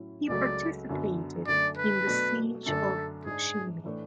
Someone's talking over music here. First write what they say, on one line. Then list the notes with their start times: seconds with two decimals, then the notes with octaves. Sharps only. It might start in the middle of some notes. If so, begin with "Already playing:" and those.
He participated in the Siege of Fushimi.
Already playing: A2 F#3 C#4 E4
0.29 C#2 C#3 F#3 A3 D5
0.89 F#2 D3 F#3 B3
1.47 F#2 D3 A3 D4 D5
1.77 B4
2.06 B2 F#3 A3 D4
2.66 F#2 D3 A3 D4 A4
3.25 G#2 G#3 D4 G#4
3.84 A2 E3 A3 D4